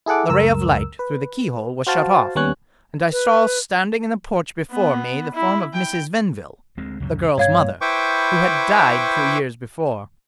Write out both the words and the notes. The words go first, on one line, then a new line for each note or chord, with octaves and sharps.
The ray of light through the keyhole was shut off, and I saw standing in the porch before me the form of Mrs. Venville, the girl's mother, who had died two years before.
E4 G#4 A4 F#5 D6
C#2 F#2 A#4 E6
B4
F#4 C5 F5 A5
D#2 G3 B3 C#4 C#5 F#6
B4
B3
E4
G5
D2 G#3 C4
C#2 F#2 C3
G2 G3 C4 C#5 F5 G#6
E4 B4 C5 G5 C#6 D6